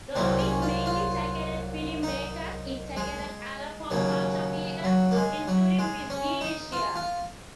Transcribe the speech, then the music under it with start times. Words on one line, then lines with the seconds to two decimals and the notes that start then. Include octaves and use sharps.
Though it mainly targeted film makers, it targeted other pop-culture figures, including musicians.
0.16 C2 A#2 F#3 C4
0.39 C#4
0.62 F4
0.86 F4
2.03 D#4
2.97 G#3
3.91 D#2 C#3 F#3
4.84 F#3
5.11 A#3
5.16 G#3
5.48 F#3
5.79 G#3
6.10 C#4
6.41 D#4
6.72 F4
6.96 F4